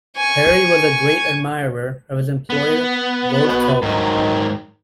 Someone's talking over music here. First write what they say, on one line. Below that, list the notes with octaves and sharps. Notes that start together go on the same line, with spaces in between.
Perry was a great admirer of his employer, Lord Kelvin.
G#5 C#6
B3
B2
G#2 D#3 F#3